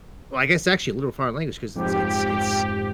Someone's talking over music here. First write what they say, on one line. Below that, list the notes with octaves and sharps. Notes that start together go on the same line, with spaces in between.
well, I guess actually a literal foreign language 'cause it's it's it's
F2 G#2 F3 G4